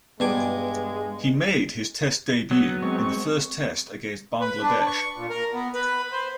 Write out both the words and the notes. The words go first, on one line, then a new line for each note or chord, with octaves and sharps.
He made his Test debut in the first Test against Bangladesh.
G2 G#3 B3 G#5 D6
F#3 B3
G#3 C4 C#6
B4
D4
C#6
A#2
A#4
B3
B4
C5